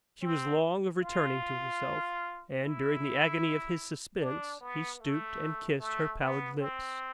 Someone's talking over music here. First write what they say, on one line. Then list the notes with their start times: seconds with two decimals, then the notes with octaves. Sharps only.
She was long of returning to herself; and, during the agony of his suspense, he stooped and kissed her pallid lips.
0.22 C4
1.01 F4
2.61 E4
4.21 D4
4.61 B3
5.00 A3
5.80 A3
6.20 B3
6.59 C4